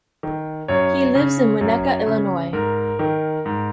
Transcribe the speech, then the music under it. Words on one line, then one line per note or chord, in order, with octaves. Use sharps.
He lives in Winnetka, Illinois.
D#3
F#2 C#5
C#3
F#2
C#3
G#2 A#4
D#3
G#2